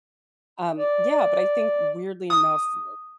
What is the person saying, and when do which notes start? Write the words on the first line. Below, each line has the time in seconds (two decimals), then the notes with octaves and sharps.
um, yeah, but I think, weirdly enough, m
0.78 D5
2.30 D#6